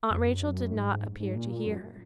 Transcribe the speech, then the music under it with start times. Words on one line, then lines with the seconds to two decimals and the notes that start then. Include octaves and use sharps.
Aunt Rachel did not appear to hear her.
0.10 F2
0.26 F#2
0.73 G#2
1.20 G#2
1.36 A#2
1.66 F#2